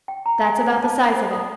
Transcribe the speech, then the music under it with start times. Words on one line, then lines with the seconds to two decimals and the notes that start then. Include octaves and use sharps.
"That's about the size of it."
0.08 G5
0.26 A#5
0.44 G#5
0.83 A5
1.00 F5
1.16 C5
1.31 D#6